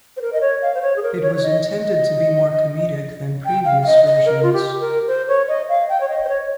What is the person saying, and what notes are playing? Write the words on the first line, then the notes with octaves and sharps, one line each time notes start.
It was intended to be more comedic than previous versions.
C5
A#4
D#5
C#5
F5
C5
C#5
G#4
A#4
C#5
C#5
D#5
D#5
G5
F5
F5
D#5
D#5
A#4
F4
G4
A#4
C5
C#5
D#5
F5
G5
C#5
D#5
C5
C#5